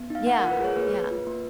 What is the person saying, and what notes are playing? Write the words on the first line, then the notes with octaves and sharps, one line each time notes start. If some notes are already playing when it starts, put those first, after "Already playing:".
Yeah, yeah.
Already playing: B3
D#4 F5
A#3 F#5
A#4
F4
B4
G#4 C#5
A#3 B4
A#3
F4
A#3